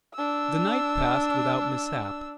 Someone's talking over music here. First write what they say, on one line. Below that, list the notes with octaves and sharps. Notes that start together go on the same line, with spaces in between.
The night passed without mishap.
D4 E6